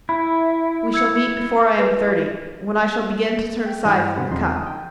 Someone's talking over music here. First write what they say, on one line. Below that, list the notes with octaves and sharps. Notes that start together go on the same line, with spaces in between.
We shall meet before I am thirty, when I shall begin to turn aside from the cup.
E4 B5
E6 G#6 C#7
B4
G5
G2 E3 G3 E4 G#5 A#5
B2 D3 C5 F#5 B5
E2 C#3 F3 C4 D#4 C6
A5 D#6
G5